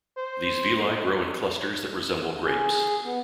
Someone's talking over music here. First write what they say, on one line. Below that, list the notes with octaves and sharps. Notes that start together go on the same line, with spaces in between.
These villi grow in clusters that resemble grapes.
C5
G#4
B3